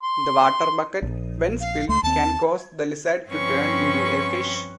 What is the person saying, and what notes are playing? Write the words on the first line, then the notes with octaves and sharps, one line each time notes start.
The water bucket, when spilled, can cause the lizard to turn into a fish.
C6
A#1
F5
C#2 A3 C6
D#2 C4 A5
G2 F3 C4 C#4 B4 C#6